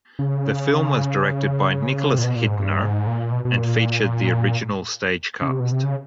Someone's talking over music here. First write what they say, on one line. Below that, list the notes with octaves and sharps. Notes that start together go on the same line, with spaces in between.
The film was directed by Nicholas Hytner and featured the original stage cast.
C#3
C3
A#2
B2
A#2
G#2
G2
G#2
A#2
B2
B2
A#2
C#3
C3
B2
C3
C#3